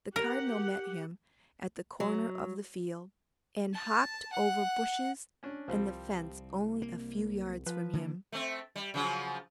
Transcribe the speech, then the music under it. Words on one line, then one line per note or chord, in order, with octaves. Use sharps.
The Cardinal met him at the corner of the field, and hopped over bushes and the fence only a few yards from him.
G4 A#4 F#5
F#3
A5
F#5
C#4 D4
C2 F3 G3 C4
A#3
F3 B4
D3 D#3 A#3
A3 C4
G3
C#3 F3 F#3